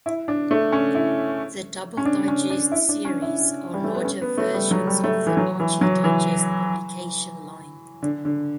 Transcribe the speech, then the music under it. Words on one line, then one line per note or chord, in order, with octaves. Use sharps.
The Double Digest series are larger versions of the Archie Digest publication line.
E4
D4
A3
C#4
E4
C#4
D4
C#4
D4
E4
D4
C#4
E4
G3
A3
B3
C#4
B3
A3
G3
F#3
G3
A3
E3
F#3
E3
F#3
E3
D3
D3